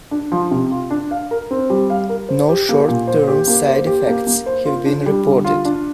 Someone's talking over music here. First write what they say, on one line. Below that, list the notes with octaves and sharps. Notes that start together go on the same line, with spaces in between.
No short-term side effects have been reported.
D4
F3
C3
F4
D4
F5
A#4
C4
G3
F5
A#4
C5
G4
A#3
A#2
C5
G4
A#3
C5
G4
A#3
A#3
C5
F4
D4
G3
D3
F4
D4